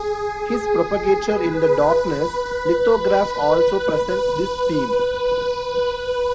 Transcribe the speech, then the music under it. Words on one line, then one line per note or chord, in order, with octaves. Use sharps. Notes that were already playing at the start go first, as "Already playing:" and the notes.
His "Propagator in the Darkness" lithograph also presents this theme.
Already playing: G#4
B4
B4